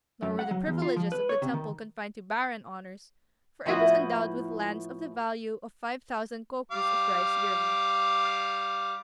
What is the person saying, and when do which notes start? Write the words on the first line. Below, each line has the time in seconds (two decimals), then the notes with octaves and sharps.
Nor were the privileges of the temple confined to barren honours, for it was endowed with lands of the value of five thousand kokus of rice yearly.
0.22 F#2
0.39 F#5
0.51 F#3
0.66 E2
0.82 F4
0.96 F3
1.12 B4
1.29 C#5
1.42 C3
1.54 D#3
3.66 A2 F3 B3 E4 F#4 D#5
6.72 G3 F5 D6